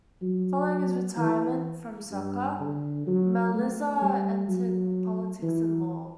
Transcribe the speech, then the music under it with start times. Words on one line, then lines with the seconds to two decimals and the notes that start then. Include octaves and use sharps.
Following his retirement from soccer, Maliza entered politics and law.
0.22 F#3
1.17 E3
2.11 G2
2.60 D3
3.07 F#3
3.54 A3
4.02 G3
4.48 F#3
5.43 E3